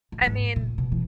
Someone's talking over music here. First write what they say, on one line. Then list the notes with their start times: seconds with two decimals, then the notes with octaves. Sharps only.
I mean
0.12 G#2
0.21 F#2
0.27 G#2
0.56 A#2
0.78 B2
0.92 E3